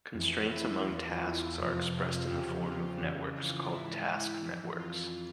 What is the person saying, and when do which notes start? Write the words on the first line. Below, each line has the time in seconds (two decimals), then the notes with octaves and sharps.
Constraints among tasks are expressed in the form of networks, called task networks.
0.14 F2 E3
0.49 E4
0.85 E2 E3 F4
1.21 E4
1.57 F2 C3 F3 F4
2.29 E2 C#3 F3 G4
2.64 F4
3.00 F2 C#3 E3
3.35 F4
3.71 G#2 E3 E4
4.07 E4
4.43 F2 E3
4.78 F4